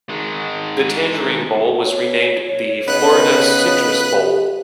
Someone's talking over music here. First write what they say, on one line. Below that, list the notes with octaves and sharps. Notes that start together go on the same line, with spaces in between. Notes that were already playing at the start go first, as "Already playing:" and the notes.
The Tangerine Bowl was renamed the Florida Citrus Bowl.
D#3 G#3
C#5
C#3 B3 D#4 B4 F#6
G4